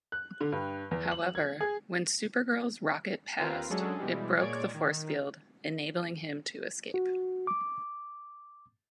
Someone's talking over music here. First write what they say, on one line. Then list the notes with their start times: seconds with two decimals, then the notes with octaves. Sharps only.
However, when Supergirl's rocket passed, it broke the force field, enabling him to escape.
0.12 F#6
0.41 D3
0.52 G2
0.91 E2
1.11 F#7
1.35 G#6
1.61 G#4
3.39 D#2 C4 F4 A#4 B4 F5
3.70 F#3 G#3 C#4 D4 G#4 A4
3.98 B2 E3 G3 G#3
4.39 A#2 G#3 C#5 D5 G#6 D7
4.74 D#3
6.94 F#4
7.47 D6